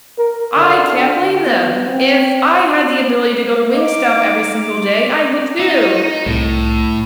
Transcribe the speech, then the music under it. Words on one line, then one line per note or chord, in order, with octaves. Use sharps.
I can't blame them. If I had the ability to go to Wingstop every single day, I would too.
A#4
D3
B3
C4
D#4 B4 D#5 F5 D6
D#4 E4
C2 A2